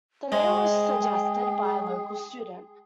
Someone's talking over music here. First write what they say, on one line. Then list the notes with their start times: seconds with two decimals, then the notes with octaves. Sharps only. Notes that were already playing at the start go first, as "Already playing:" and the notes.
The name was suggested by a local student.
0.32 G#3 G#4 C5 D#5 E5 G5